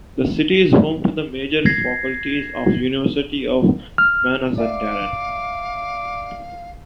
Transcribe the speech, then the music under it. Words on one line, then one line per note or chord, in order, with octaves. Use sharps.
The city is home to the major faculties of the University of Mazandaran.
G#6 A#6 C7
F6
D5 E5 F5 D6